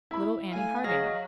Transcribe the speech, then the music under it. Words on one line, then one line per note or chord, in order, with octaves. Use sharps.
"Little Annie Harding."
E4 B5
A3 F5 G#5
F#3 G#4 D#5 F5 F6 A#6